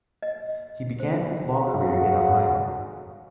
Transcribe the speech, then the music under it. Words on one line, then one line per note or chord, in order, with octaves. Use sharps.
He began his law career in Ohio.
D#5
C5
F#4 G#4 A4 C#5 F5 F#5